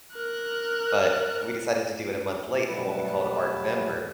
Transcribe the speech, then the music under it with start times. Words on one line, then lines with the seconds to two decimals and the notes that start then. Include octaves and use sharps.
But, we decided to do it a month late for what we called "Artvember",
0.15 A#4 F#6
2.68 B2 F#3 G3 A3 B4 A5